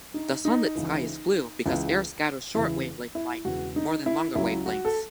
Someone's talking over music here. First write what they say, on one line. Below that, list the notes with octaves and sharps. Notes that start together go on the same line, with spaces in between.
The sunlit sky is blue because air scatters short-wavelength light more than longer wavelengths.
D#4
D#4
C#2 C#3 E3
C#2 C#3 E3
E1 E2 C#3 E4
E4
E1 E2 C#3 F#4
D#4
E4
C#2 C#3 F#3 E4
F#4
A4